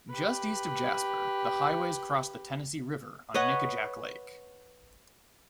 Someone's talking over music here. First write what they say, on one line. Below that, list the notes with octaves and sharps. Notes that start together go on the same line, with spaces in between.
Just east of Jasper, the highways cross the Tennessee River on Nickajack Lake.
G4 B4
B4 C#5 D#5 F#5